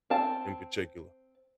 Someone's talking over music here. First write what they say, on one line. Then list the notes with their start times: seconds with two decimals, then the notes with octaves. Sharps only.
in particular?
0.10 C4 A5